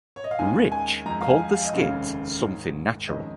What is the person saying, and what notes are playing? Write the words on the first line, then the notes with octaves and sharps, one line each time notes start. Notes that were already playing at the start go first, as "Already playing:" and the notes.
Ricch called the skit "something natural".
C#5
D#5
F5
D#2 D#3 G#3 C#4 G#5
G#5
F2 F3 G#3 A#5
F5
G#5
F5
D#5
F1 D#2 C#3 G#3 C#4 F5
G#2 D#3 C#4
F2 D#3 G#3 C#4 D#5